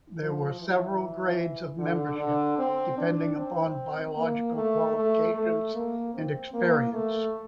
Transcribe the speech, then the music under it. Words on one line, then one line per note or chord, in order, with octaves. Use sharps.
There were several grades of membership, depending upon biological qualifications and experience.
F3
E3
D3
D3
C4
D4
C4
A#3
A3
A3
A3
A#3
C4
A#3
A3